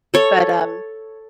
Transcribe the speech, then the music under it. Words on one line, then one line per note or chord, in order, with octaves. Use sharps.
but, um
A4 C#5